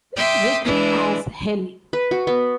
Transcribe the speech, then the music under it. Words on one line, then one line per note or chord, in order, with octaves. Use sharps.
Rich as hell.
E5 G5 C6 D6 D#6
E3 G#3 D4
B4
F#4
B3